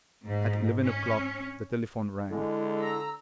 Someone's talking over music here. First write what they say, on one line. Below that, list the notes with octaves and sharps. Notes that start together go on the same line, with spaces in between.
At eleven o'clock the telephone rang.
G#2
C#4
D3 G#3 E4
A#5 E6